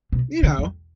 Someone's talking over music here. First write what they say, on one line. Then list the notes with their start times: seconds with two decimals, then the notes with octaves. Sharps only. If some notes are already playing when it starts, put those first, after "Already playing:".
you know,
0.12 B2
0.43 D3
0.59 F2